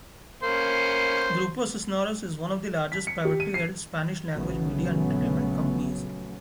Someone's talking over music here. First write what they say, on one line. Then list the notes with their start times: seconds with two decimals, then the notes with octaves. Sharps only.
Grupo Cisneros is one of the largest privately held Spanish-language media and entertainment companies.
0.43 A#3 C#4 C5
2.92 B6
3.07 C#7
3.25 G4
3.40 D#7
3.54 C7
4.34 A#1 C#3 F#3 A3 B3 C#4